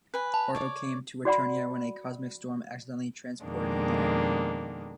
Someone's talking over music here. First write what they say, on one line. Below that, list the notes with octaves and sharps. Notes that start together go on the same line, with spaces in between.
Orko came to Eternia when a "cosmic storm" accidentally transported him there.
B4 G#5
A5
C#5 D5
F#4 D5 F#5 B5
F2 B2 D#3 G#3 A#3 D4